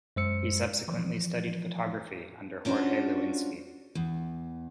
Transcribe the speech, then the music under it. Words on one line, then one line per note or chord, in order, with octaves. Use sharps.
He subsequently studied photography under Jorge Lewinski.
F#2 G#3 C5 E6 C#7
E3 F3
C#4 D4 F4 F#4 C5
E2